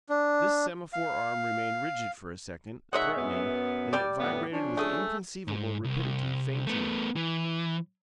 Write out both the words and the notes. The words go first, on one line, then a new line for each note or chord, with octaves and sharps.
This semaphore arm remained rigid for a second, threatening; then it vibrated with inconceivable rapidity, feinting.
D4
F5
A#2 G#3 D#4 C#5 E5 F#5
F#2 B3
G3 G4 D5
F2 A2 B3
F3 C#4 D4
A3 G#4
G#2
C2
A3 B3
E3